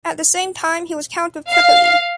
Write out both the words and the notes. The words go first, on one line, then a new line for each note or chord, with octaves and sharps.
At the same time he was Count of Tripoli.
F5